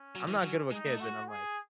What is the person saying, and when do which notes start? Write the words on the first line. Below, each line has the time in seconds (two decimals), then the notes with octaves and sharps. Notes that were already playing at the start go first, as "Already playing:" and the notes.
I'm not good with kids," and I'm like
Already playing: C#4
0.15 F#3
0.28 E3
0.43 F#3
0.71 G#3 D#4
0.86 A3
1.00 F#4
1.28 G#4